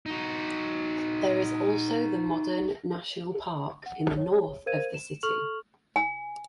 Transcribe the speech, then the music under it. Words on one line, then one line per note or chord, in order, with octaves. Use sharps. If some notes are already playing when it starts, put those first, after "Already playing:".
There is also the modern National Park in the north of the city.
D#4 F#4
F#5
C#5
A#4 C5 F5 G#6 D#7
E7
A4 C#6 F6 F7 F#7
G#5